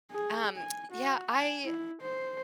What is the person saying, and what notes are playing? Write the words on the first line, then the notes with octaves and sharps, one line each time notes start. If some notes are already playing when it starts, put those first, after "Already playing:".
I Um, yeah, I
G#4
G#5
F#4
G#5
E4
C5